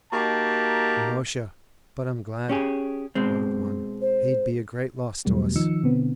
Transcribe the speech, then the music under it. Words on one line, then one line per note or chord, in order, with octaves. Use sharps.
"Musha, but I 'm glad," muttered one; "he 'd be a great loss to us."
A#3 D#4 F#4 G4 A5
C#4 G4 G#4
B2 G#3 C4
C5
E2 B2 F#3 G3 A3 B3
D#3 F3 D#4 E6 C#7
B2 D3 B3 C4